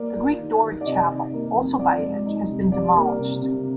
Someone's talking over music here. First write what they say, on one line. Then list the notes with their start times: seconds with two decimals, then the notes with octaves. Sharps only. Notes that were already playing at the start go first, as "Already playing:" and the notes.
The Greek Doric chapel, also by Edge, has been demolished.
Already playing: A#3 D5
0.17 F4
0.39 D#3
0.63 D#3
0.81 D5
0.86 C3 D#5
1.09 D#3
1.33 A#3
1.56 F2
1.79 F3 D5
2.02 G#3
2.26 D#4
2.49 C3
2.72 G3 D5
2.95 A#3 D5
3.19 C3
3.42 C3